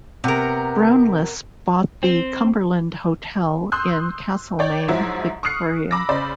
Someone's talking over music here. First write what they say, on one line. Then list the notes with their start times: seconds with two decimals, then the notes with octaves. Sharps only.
Brownless bought the Cumberland Hotel in Castlemaine, Victoria.
0.24 C3 B3 A#4
2.03 C4
3.72 C6 D#6 E6 F#6 G6
4.59 C#5 D5 G5
4.88 G#2 F3 F#3 E4
5.43 C#6 D#6 F6 F#6 C7 C#7
5.91 A#5 B5 D6 E6 A#6
6.09 C#3 C5 D5 B5